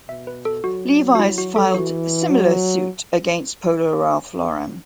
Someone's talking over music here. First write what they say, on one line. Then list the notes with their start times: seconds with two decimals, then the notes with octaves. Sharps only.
Levi's filed similar suit against Polo Ralph Lauren.
0.08 B2 E5
0.27 B4
0.45 A4
0.64 F#3 F#4
1.15 F#4
1.19 E4
1.38 F#4
1.56 A4
1.74 E3 F#4
2.30 F#3